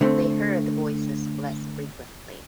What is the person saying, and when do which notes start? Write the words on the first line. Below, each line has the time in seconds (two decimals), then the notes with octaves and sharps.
They heard the voices less frequently.
0.01 D3 A3 C4